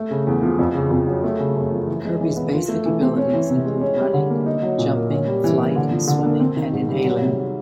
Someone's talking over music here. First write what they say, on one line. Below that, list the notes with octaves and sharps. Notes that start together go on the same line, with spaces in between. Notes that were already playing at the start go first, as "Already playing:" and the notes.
Kirby's basic abilities include running, jumping, flight, swimming, and inhaling.
Already playing: A3
C#3
E2
F3
F2
C#3
F2
F#3
A3
C#3
F#2
F3
E3
G#3
E3
B3
F4
A3
E3
C4
C#4
E3
C3
G#3
C#4
G3
D3
A#3
D#4
F#3
A#2
A#3
C#4
G3
E3
A#3
D3
F3
D3
A#3
C4
D#3
G#2
G3
F#3
C3